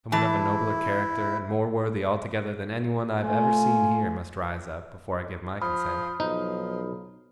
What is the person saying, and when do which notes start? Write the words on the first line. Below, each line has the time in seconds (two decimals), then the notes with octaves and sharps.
Someone of a nobler character, and more worthy altogether than anyone I have ever seen here, must rise up, before I give my consent.
0.12 E3 E4 A5
3.21 A3 F4 G#5
5.62 F3 B5 D#6 F6
6.20 B1 F3 D#4